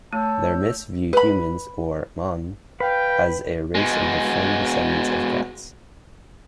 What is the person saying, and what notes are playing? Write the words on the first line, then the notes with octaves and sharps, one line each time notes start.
Their myths view humans, or "M'an", as a race of deformed descendants of cats.
A3 C#5 A5 E6 G6
B4 B5
B4 F5 G5
B2 G#3